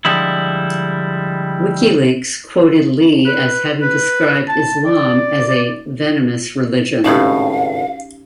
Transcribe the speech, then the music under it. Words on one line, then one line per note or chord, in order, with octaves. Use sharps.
Wikileaks quoted Lee as having described Islam as a "venomous religion".
D3 F3 G3 G#3 E4
B4
B4
A5
D5
G#1 C#2 A2 C#4 D#4 G4 F5